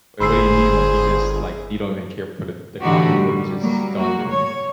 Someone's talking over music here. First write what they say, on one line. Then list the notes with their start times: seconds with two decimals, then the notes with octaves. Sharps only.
W what do you mean, like, you just, like, you don't even care put a the clock anywhere, you just don't even
0.20 G1 G#4 C5 B5 E6 C7
2.81 A2 D3 E3 D#4 F#4 G4
3.19 G3
3.60 F#3 G3 A#3
3.97 A#3 F#4
4.29 C#5